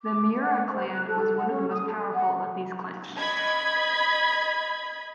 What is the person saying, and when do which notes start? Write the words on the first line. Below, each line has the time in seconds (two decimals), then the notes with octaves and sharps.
The Miura clan was one of the most powerful of these clans.
0.02 D6
0.42 F#5
0.66 C5
0.92 F#6
1.07 A4
1.37 F#5
1.49 C#4
1.72 D#6
1.86 A4
2.15 F#5
3.17 D#5 B5 G#6